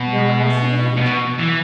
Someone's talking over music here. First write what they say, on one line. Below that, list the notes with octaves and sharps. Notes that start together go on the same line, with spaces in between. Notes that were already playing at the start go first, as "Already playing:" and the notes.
"No acid in it?"
Already playing: B2
A2
B2
E3